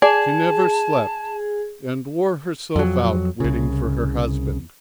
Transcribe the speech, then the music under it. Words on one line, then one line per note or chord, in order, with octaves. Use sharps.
She never slept, and wore herself out waiting for her husband.
G#4 D5 A5
F2 F#3
C2 C#3